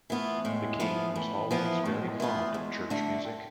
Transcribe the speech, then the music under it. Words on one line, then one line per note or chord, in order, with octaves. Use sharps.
The king was always very fond of church music.
E3 A3 B3 F4
A2 G#3
E3 F3 B3 F4
A2 E3
E3 F3 B3 F4
A2 A3
G#3
F3
G#3
E3 A3 B3 F4
E2 G#3
D3 A3 D4
C4